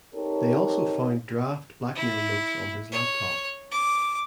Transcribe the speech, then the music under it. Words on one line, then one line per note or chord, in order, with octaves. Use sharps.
They also found draft blackmail notes on his laptop.
C4 D#4 G4 A4 A#4 C#5
E4
C#5
D6